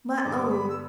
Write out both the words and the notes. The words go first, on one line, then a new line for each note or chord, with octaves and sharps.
My own!
G2 D3 B3 G4 D6
B5
E6